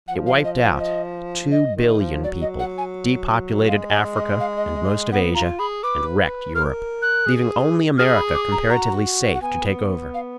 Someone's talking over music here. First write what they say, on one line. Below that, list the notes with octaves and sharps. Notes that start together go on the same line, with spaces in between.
It wiped out two billion people, depopulated Africa and most of Asia, and wrecked Europe, leaving only America comparatively safe to take over.
F3 F#5
F5
D#5
F5
D#5
D#5
D#3
F3
F#3 D5
D#5
F#5
G#5
G#3 F5
D#5
D#5
F5
D#5
D#5
B3 F#5
F4 A#5
G#4 B5
B4 D6
A#4 F6
F#6
G#4
G#4 F6
B5
D6
A#5
F#4 A#5
F#5
B3 G#5
F5